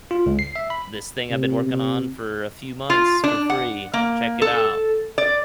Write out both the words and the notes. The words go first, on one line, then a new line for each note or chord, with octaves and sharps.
this thing I've been working on for a few months for free, check it out."
F4
C#2
C7
E5
B5
C3
C3
F4
D4
F#5
A#3
A4
D5